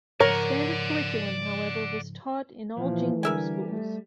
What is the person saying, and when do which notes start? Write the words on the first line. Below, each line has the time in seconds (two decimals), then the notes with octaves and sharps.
The standard curriculum, however, was taught in all Jing Wu schools.
0.20 G#2 C#3 F3 A#4 C#5 D5 F#5
2.77 A#2 E3 F3
3.23 D3 G3 A#4 E5 G#5
3.69 A3